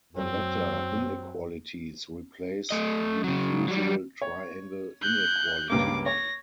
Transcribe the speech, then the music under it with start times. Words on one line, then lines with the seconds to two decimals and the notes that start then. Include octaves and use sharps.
The latter inequalities replace the usual triangle inequality.
0.17 F#2 F#3 C4
2.71 A3 D#5
3.24 C#3 F#3
3.68 F#3 G3
4.22 C#5
5.02 F#6 G6
5.70 C#2 G2 A#3 D6
6.06 C#5 A#6